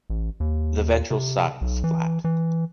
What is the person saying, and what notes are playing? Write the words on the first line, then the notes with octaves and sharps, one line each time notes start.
The ventral side is flat.
A1
D#2
C3
B1
E3
E3